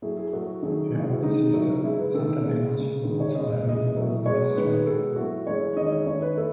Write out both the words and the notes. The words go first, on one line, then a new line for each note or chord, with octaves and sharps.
Her older sister, Santa Benash, was also heavily involved in the strike.
A2 F#3 A3 G#4
G#4
A2 F#3 A3 F#4
D#3 F#3 A3 G#4
A2 E3 G#3 G#4
F#4
D#3 G#3 D#4
A2 F#3 A3
C#3 G#3 E4
B4
D#3 A3 A4
C#3 G#3 E4
C#3 G#3
D#3 G#3 G#4
C#5
C#3 G#3 D#5
D#5
A2 E3 G#3 D#5
D#5
A2 F#3 A3
B2 G#3 C#5
D#3 G#3 B4
B2 G#3 A4
A2 F#3 A3 F#4
A2 E3 G#3 C#5
D#3 G#3 D#5
C#5
D#5
D#5
D#3 A3 C#5
B4
A3 A4